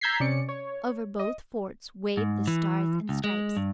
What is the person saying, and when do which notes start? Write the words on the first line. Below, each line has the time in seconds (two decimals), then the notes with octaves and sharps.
Over both forts waved the Stars and Stripes.
0.01 A#5 E6 G6 G#6 B6 C7
0.20 C3 C#4 D5 C#7
0.49 C#5
1.19 D#5
2.17 G#2
2.47 E3
3.09 C#2
3.24 G#3
3.57 G2